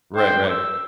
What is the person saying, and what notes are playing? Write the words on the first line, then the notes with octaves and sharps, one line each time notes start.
Right, right.
C5 G5
D6
E6